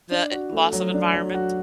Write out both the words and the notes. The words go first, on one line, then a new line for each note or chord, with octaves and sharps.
the eh loss of environment?
D4
F#4
A3
F#3
D4
F#3
F#4